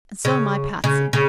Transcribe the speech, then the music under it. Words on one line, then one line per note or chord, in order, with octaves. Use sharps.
"And so am I, Patsy."
C#3
C#3
C#3